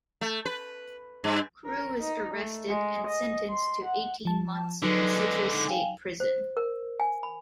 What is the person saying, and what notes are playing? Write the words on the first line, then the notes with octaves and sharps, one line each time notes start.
Crewe is arrested and sentenced to eighteen months in Citrus State Prison.
A3
B4
G2
A#4
D#4
A3
G#3
D#5
C6
F#5
F3 A5
D3 F#3 G#3 D#4 B4
F5 G5 G#5
C5
A#4
G#5
B5